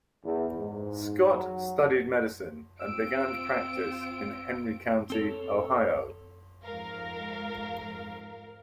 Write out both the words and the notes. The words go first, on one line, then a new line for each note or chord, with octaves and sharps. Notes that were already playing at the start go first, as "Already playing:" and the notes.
Scott studied medicine and began practice in Henry County, Ohio.
E2
G#2
F#3
C4 F4 E6 D7
C4 A4 C#5
F2 G#2 A#4 F5